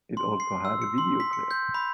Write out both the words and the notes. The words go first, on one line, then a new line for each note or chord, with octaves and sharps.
It also had a video clip.
C6
C7
E6
C#7
C6
B6
C#7
G6
B5